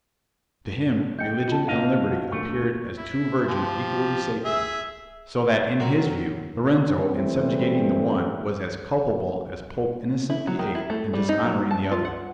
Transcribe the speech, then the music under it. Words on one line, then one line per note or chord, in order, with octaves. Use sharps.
To him religion and liberty appeared as two virgins equally sacred; so that, in his view, Lorenzo in subjugating the one was as culpable as Pope Innocent VIII in dishonouring the other.
D#5 G5 G6 C#7
F4 A5
G#2 B2 D#5 F5
E4 F#4
D2 A#2 A3
E4
F3 G4
G#4 E5
F#3 C4 F#4 A#4
G#2 E3 G3 A3 C4 E4
E4
F#3
D#3
E4
A3
G3
D#4
F#3
A5
F4
F#5